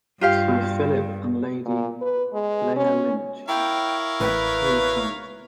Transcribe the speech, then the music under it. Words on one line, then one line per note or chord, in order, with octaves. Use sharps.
Sir Phillip and Lady Leah Lynch had three sons.
G2 F4 G4 F5
A#2
B4
G#3
C#4
E4 A#4 C#5 F5 G5
A1 B4